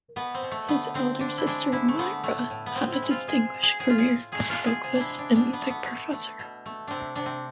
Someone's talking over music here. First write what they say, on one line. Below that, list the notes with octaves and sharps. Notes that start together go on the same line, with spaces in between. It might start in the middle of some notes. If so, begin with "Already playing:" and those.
His elder sister, Mira, had a distinguished career as a vocalist and music professor.
B2 B3
C4
B2
A3
D3 B3
D3 C4
D3 D4
E4
G#3 D4
D3 E4
A3
D3 B3
A2 A3
A2
B3
A2 C4
E4
G#3
F4
G#3 G#4
B2
G#4
A2 G#4
F4
G#4
A2
A3 G#4
F4
B2
G#4
C3 G#4
D4
E4
G#3
D4
B2 D4
B3
A3
B3
A3
A3
B2
A3
C3 C4 D4
C3 D4
C4